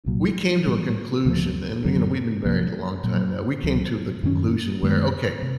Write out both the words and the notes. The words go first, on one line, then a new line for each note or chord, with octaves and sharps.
we came to a conclusion, and, you know, we've been married a long time now. We came to the conclusion where, "Okay,
C2 A#2 F#3
A2 E3 G3 B3
D2 C#3 F3 A3
F#2 D3 F#3
C2 C3 F3 A#3
A#2 F#3 A#3
C#2 C#3 F#3
F#2 D#3 G#3 C#4
F#2 D#3 G#3 B3
C3